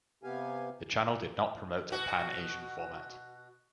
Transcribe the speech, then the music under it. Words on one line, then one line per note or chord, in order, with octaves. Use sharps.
The channel did not promote a pan-Asian format.
C3 B3 G4 F5 G#5
B2 F#4